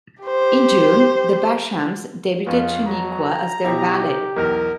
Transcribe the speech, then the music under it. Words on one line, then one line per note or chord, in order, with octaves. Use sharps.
In June, the Bashams debuted Shaniqua as their valet.
G4 C5
F2 B3 C#4 F4 G#4 F#5
F#3 A#5
B2 E4 G4
D#4 A#4
B1 E2 A#4